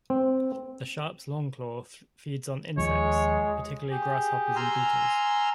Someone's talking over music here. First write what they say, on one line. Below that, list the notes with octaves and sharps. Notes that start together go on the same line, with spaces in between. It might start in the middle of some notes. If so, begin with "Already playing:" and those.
The Sharpe's longclaw feeds on insects, particularly grasshoppers and beetles.
C4
D#2 F3 G#3 C#5
G4 G#4
G#5 A#5 C6 E6 F6